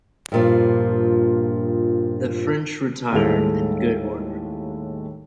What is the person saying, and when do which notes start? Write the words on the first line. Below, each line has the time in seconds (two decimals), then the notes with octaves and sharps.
The French retired in good order.
0.32 G2 A#2 F3
3.12 D#2 A2 G3 G#3 A4 F7